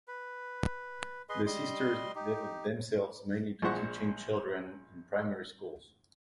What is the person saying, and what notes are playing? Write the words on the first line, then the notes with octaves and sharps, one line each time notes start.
The sisters devote themselves mainly to teaching children in primary schools.
B4
G#4 B4 D#5 C6
G3 D#5 C6
D#4 G4
A#1 A#2 G#3 C5 F#5 C#6